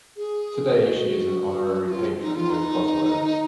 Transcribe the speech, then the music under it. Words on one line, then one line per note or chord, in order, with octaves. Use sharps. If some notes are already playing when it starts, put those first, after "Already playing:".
Today she is an honorary patron with Crossroads.
G#4
F#4
F#4
F4
D#4
F4
D#4